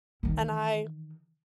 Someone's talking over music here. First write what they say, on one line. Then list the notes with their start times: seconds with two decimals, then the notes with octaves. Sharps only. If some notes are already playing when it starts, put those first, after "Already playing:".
And I
0.23 D#3 E3